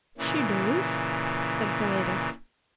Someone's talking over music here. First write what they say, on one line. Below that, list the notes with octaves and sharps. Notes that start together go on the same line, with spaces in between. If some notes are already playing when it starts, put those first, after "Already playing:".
"She doos," said Philetus.
A#2 C#3 E3